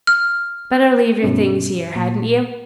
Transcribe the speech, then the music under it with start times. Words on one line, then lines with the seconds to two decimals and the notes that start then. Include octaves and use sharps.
Better leave your things here, hadn't you?
0.07 F6
1.22 G2 B2 C#4
1.96 A#2